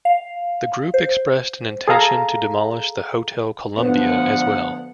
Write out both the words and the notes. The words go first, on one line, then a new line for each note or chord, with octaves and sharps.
The group expressed an intention to demolish the Hotel Columbia as well.
F5
C5
G#4 A4 F5 A#5
D2 F3 B3 D4 F#5